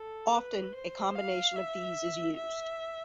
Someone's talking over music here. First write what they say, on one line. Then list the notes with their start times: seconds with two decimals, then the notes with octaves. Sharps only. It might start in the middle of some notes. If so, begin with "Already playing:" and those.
Often a combination of these is used.
Already playing: A4
0.34 B4
0.75 C5
1.15 F5
1.56 E5
2.37 E5